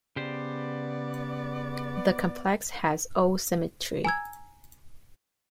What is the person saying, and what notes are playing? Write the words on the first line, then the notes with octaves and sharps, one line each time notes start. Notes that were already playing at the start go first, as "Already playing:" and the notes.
The complex has O symmetry.
C#3 B3 G4 C5 D5
G#5 A#5 E6 G#6